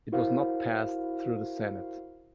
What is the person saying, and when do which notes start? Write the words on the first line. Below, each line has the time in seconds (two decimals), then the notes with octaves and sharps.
It was not passed through the Senate.
0.12 E4 F#4 A#4 C5 F5